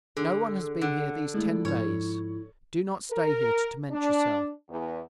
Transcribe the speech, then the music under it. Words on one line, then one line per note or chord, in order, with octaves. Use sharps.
No one has been here these ten days. Do not stay here to torment yourself.
D3 G#4
D3 F#5
G#3 A3 E4
G#2 F3 C#5
A#4
D4
E2